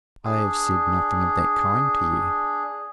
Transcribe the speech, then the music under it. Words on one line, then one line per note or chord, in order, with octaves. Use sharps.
"I have said nothing of that kind to you."
D4 G#4